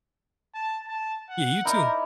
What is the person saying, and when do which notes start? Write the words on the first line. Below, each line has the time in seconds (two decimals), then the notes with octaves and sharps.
Yeah, you too.
0.54 A5
0.88 A5
1.29 F#5
1.65 D#4 E4 A#4 D5